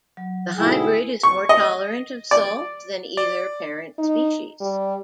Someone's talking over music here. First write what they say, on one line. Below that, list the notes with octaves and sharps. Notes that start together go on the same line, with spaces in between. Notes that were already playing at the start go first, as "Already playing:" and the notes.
The hybrid is more tolerant of salt than either parent species.
F#3
G#2 B2 D3 E4 G#4 G5
C#6
D#5
D5
D5
D#4
G3